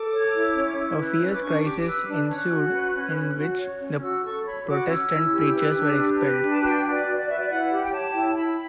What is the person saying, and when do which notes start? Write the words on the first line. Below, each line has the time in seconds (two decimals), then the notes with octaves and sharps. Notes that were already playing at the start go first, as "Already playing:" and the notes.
A fierce crisis ensued in which the Protestant preachers were expelled.
Already playing: A4 D6
0.13 C#5
0.34 E4
0.55 C#4
0.77 E4
0.98 B4
1.20 C#4
1.33 D6
1.41 D4 C#6
1.63 G4 D6
1.81 D6
1.85 B4 E6
2.07 D4 F#6
2.29 C#4 F#6
2.50 F#4
2.72 B4
2.94 C#4
3.15 C#4
3.36 F#4
3.58 C#5
3.80 C#4
4.02 F#4 E6
4.23 A4 C#6
4.45 C#5 B5
4.67 F#4 D6
4.88 C#4 E6
5.10 E4
5.32 G4
5.54 B4
5.75 D4
5.97 G4
6.18 B4
6.40 D4
6.51 A5
6.61 F#4 G5
6.83 B4
6.91 D5
7.05 F#4
7.19 D5
7.27 B4 E5
7.38 D5
7.49 E4 F#5
7.70 G4
7.83 G5
7.91 C#5 A5
8.11 E4 G5
8.24 A5
8.35 E4 B5